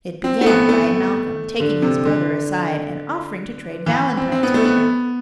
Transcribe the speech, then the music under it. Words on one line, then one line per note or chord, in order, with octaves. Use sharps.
It began by Malcolm taking his brother aside and offering to trade valentines with him.
C4
A3
B3
A3
D3
C3
D3
E3
C4
C4
B3
A3
B3